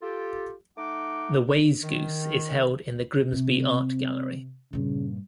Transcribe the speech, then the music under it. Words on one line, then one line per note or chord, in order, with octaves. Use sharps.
The wayzgoose is held in the Grimsby Art Gallery.
F4 G4 A4
A3 D#4 F#5 D6
D#3
C3 C4
G2 A#2 C#3